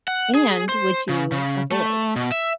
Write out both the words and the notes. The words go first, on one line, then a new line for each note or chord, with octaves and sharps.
And would you avoid?
F#5
G#4
C5
C#3
C#3
A3
B2
E5